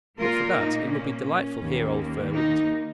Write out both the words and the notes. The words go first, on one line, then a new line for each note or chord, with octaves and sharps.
"But for that, it would be delightful here, old Fir, wouldn't it?"
A#2 A#3 F4 A#4
D#4
C#4
D#2 D#3 A#3
D#4